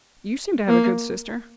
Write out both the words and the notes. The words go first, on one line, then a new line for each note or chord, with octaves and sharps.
'You seem to have a good sister.'
A#3